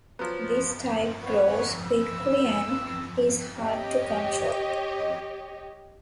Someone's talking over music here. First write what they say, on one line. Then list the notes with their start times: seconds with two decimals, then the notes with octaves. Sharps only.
This type grows quickly and is hard to control.
0.19 F3 F#3 B3
1.22 B4 C#5 F#5
1.83 B4 E6
3.57 G4 C#5 D#5